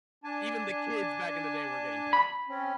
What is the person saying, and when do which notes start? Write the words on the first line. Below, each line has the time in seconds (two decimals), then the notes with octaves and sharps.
even the kids back in the day were getting paid.
0.24 D4 G#5 A5
2.13 B5
2.49 C4 C#4